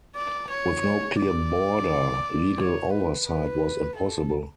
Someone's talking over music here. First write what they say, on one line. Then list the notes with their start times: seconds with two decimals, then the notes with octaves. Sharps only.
With no clear border legal oversight was impossible.
0.15 D5
0.49 C#5
1.19 D5
2.58 C#5
2.92 B4
3.27 B4
3.95 A4